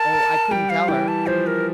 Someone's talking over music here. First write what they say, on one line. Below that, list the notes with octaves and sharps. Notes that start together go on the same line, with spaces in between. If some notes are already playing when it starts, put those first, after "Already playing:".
"Oh, I couldn't tell her."
Already playing: A#4 A5
A#4
G3 G5
F5
E3 G5
A5
F3 C5
A#4